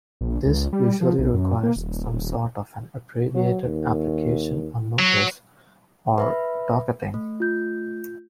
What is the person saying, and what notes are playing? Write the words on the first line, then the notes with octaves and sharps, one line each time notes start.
This usually requires some sort of an abbreviated application on notice, or docketing.
A#1
C#2
G3
F3
B1
F#2
A#3
D#1
D#1
F#3
D#2
F#3
B4 E5 B5
A3
F4 G6